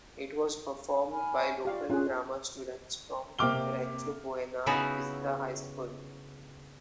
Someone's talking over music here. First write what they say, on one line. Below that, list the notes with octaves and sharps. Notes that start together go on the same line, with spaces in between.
It was performed by local drama students from Rancho Buena Vista High School.
G#5 B5 F6
C#5
F4 G4 D5 F5 C#6
C#4 F4 G#4 F#6
C3 A#3 G5 D6 F6 G7
C#3 B3 D#4 E4 F#4 A#5